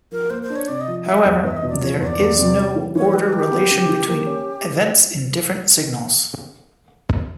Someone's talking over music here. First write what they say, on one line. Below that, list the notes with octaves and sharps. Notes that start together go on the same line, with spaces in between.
However, there is no order relation between events in different signals.
F3 A#4
A#3 C5
C5
D4
C#5
C3 D5
D#5
F3
F#3 E5
D#5
E2
E5
E2 D#5
E5
D#5
B2
D5
F3 C#5
E2 C#5
D5
E2
C3
C#4
E3
E3 C#5
G#3 B4
G#3 G4
B3
C#3
E3
A#3 G4
C#4